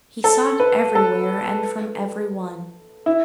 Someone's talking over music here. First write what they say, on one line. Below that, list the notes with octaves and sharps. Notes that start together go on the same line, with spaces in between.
He sought everywhere and from every one.
A4
B4
A4
E4